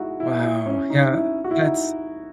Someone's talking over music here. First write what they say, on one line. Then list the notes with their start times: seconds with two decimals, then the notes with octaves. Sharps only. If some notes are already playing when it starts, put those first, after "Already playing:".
Wow, yeah, that's
Already playing: G#3 D#4 E4 F#4
0.20 E4
0.43 E4
0.66 C#4
0.90 D#4
1.13 E4
1.44 F#4
1.51 E4
1.67 D#4